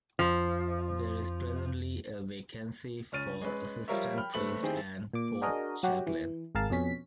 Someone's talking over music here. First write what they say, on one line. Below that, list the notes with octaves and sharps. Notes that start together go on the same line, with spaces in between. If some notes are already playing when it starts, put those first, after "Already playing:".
There is presently a vacancy for Assistant Priest and Port Chaplain.
F2 F3
C#2 C#4 F6 A6 D#7
G#3 C#4 B4
F3 G3 F4 A#4 C#5 E5
G5 B5 F6
F#1 A3 C4 B4 F#7
D#3 C4 E4 G4 G#4
A#2 D6
D4 F#4 G#4 A#4 D#5
F#3 F#4 G4
E3
G#1 G#4 A#4 F5 A5
F2 B2 C#4 B6